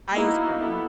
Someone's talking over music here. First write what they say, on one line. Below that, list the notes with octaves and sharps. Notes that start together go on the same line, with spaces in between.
Ice cream.
A#3 B3 D#4 E4 F#4
B3 E4 A4